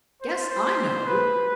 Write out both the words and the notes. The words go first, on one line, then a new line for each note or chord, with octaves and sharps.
"Guess I know!"
C5
C5
B4